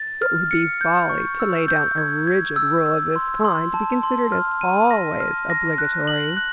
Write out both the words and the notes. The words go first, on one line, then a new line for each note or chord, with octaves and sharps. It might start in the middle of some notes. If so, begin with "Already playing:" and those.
It would be folly to lay down a rigid rule of this kind to be considered as always obligatory.
Already playing: A6
F6
C#7
G6
C#6
E6
G6
G#6
G#6
E6
E6
C6
C6
A5
C6
F6
D#7
A#6
F6
A#6
F#6
F#7
F#6